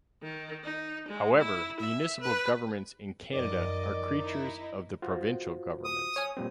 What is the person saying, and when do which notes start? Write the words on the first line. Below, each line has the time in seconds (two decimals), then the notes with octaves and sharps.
However, municipal governments in Canada are creatures of the provincial governments.
0.21 D#3
0.63 D#4
1.07 G#3
1.37 E4
1.80 E5
2.21 B4
3.33 F#2 D#3 F3 D5 D#5
4.20 D#4 E4
5.02 F4 F#4 C5
5.85 D#6
6.16 C#5 G#5
6.37 A#2 G3 C4